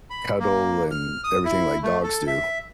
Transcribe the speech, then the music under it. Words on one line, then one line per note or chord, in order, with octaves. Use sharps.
cuddle, and everything like dogs do.
B5
A#3
F6
D#6
E4
A3
A4
E5